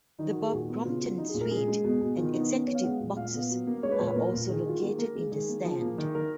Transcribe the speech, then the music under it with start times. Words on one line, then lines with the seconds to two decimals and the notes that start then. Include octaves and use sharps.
The Bob Crompton suite and Executive Boxes are also located in the stand.
0.19 D#3 D#4
0.30 F#4
0.35 D#3
0.41 G#4
0.52 A#2 F#4
0.69 B3
0.85 C#3 F4
1.02 F#3
1.18 F#3 D#4
1.29 G#4
1.34 A#2
1.41 A#4
1.51 G#3 G#4
1.68 G#3
1.84 B2
2.01 B2
2.17 D#3 F4
2.34 B3 D#4
2.50 B3 C#4
2.67 B3 C#5
2.75 F5
2.84 G#3 F#5
3.00 A#2
3.17 A#2 F5
3.33 B3
3.50 F#3
3.67 A#3
3.83 G#3 C#5
3.91 B4
3.99 A#2 C#5
4.07 B4
4.16 A#2 A#4
4.33 A#2
4.49 D#3 G#4
4.66 D#3 F4
4.79 A#3 F#4
4.89 G#4
4.98 A#3 A#4
5.15 G#3 G#4
5.31 D#3 G#4
5.48 A#3
5.65 F3
5.81 A#3
5.98 D#3
6.15 D#3 A#4